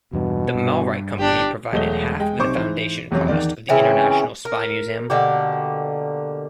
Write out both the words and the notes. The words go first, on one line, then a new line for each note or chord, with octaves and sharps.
The Malrite Company provided half of the foundation cost of the International Spy Museum.
E2 G2 B2
G2
G1 D4 G4
E1 F#3 G#3 A3 D#5 G7
G#3 G5
B1 C3 C5 C#6 D6
G#2 E3 C5
F1 E2 C3 F#3 C#4
E2 D#3 D5
C#3 E3 C4 C#4
A#4
B2 D3 A#3 G4